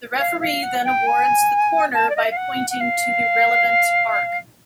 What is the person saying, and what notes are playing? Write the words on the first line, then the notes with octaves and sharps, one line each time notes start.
The referee then awards the corner by pointing to the relevant arc.
F5
F5
F#5
G5
G#5
A5
D5
D#5
E5
F5
F#5
F#5
F5